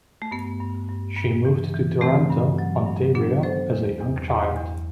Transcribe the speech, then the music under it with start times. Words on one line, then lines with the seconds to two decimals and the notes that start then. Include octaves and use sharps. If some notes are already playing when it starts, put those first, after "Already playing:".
She moved to Toronto, Ontario, as a young child.
0.22 A3
0.31 G2 B3
0.60 G2
0.89 G2
1.16 G2
1.45 E3
1.74 E3
2.01 E3 A3 C4
2.30 G2
2.58 F#3
2.86 G2
3.15 F#3 B3 D4
3.43 F#3 A4 C5
3.71 E2
4.00 E2
4.28 E2
4.56 E2